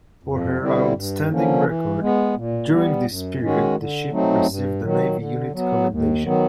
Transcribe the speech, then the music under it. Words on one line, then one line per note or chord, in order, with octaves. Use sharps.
For her outstanding record during this period the ship received the Navy Unit Commendation.
F2
D3 G3 C4 E4
G2
D3 F3 A#3 C#4
E3
G#3 B3
A#2
G3 B3
F#2
D#3 G#3 C#4 F#4
D3
F#3 A3 C4 D#4
G2
D#3 F#3
D3
F#3 B3
D#2
D#3 F#3 B3